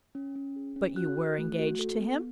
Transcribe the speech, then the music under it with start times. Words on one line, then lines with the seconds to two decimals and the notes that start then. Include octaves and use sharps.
"But you were engaged to him?"
0.15 C#4
0.35 C#4
0.56 G#4
0.76 C#4
0.96 F#4 F#6
1.18 A4
1.38 A3
1.59 F#4
1.79 A4
1.99 B3